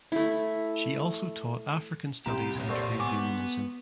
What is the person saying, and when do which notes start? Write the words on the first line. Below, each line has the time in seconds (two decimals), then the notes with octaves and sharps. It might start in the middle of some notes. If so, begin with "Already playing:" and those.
She also taught African studies and trade unionism.
0.12 A3 E4
2.26 C2 G4 A#5 C6
2.55 A#2 C#5
2.68 G4 A4 A#4 C5 D5 C#6
3.00 B3 G#5 C#6 D6